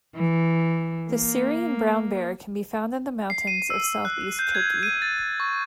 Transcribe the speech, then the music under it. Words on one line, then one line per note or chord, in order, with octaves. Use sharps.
The Syrian brown bear can be found in the mountains of Southeast Turkey.
E3
A#3
C7
D#7
E6
F#6
G6
G#6
D#7
A6
C#6